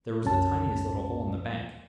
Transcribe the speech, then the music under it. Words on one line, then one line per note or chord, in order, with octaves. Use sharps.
There was the tiniest little hole in the bank.
C2 F#2 C#4 A5